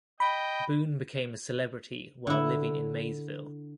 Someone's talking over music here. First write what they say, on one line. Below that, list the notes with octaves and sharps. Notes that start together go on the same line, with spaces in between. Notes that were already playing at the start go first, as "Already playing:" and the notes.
Boone became a celebrity while living in Maysville.
D#5 G5 B5
D3 E4